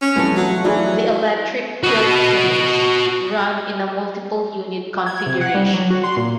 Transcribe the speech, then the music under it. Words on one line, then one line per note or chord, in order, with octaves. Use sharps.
The electric Tilt Trains run in a multiple unit configuration.
C#4
C2 E3 F3 A3
F#3
E3 F#3 C#4 E4 G#4 D5
F#4 D#5
G#6
C3
F#5
G3
F#3
F#4
C6
A#2